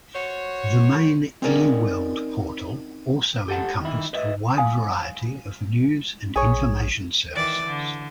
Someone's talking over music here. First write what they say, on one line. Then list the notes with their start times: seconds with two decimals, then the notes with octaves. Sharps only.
The main eWorld portal also encompassed a wide variety of news and information services.
0.15 F#4 C5 C#5
1.42 C4 C#4 D#4 G#4 A#4 D5
3.48 G4 A4 F#5 A5
3.81 D#3 E4
4.13 B4 D#5 E5
4.57 F5 G#5 D#6
6.36 A#1 G#4 C#5
7.33 D#3 E3 D5
7.64 D3